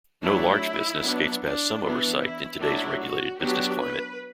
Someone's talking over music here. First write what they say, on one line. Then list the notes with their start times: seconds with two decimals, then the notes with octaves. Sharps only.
No large business skates past some oversight in today's regulated business climate.
0.22 F#3 A3 D4 E4
1.02 F#3 B3 D4
1.42 D4
1.81 E3 B3 D4
2.22 E4
2.61 F#3 A3 D4 E4
3.01 F#4
3.41 F#3 B3 D4 G4
3.81 B4